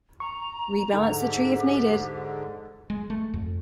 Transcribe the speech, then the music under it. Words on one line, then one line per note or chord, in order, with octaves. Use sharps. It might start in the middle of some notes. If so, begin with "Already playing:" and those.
Rebalance the tree if needed.
A#5 C#6
G#2 D3 D#4 A4
G4
G#3
A3
F2